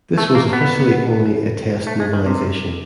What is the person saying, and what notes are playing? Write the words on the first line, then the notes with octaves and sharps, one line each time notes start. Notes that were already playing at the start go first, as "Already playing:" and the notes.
This was officially only a "test mobilisation".
A3
A#3
B3
A3
G#3
D#3
C3